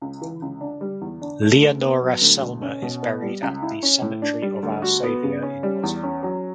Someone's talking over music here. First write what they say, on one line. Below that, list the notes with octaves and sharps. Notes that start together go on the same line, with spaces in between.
Leonora Selmer is buried at the Cemetery of Our Saviour in Oslo.
C#2
E3
C#2
D4
G3
E2
D4
A3
D2
B3
F#3
D2
B2
C#4
B2
B3
G3
C#2
E4
C#4
A2
D4
G3
D2
F#4
B3
C#3
C#4
G3
E2
C#4
F#3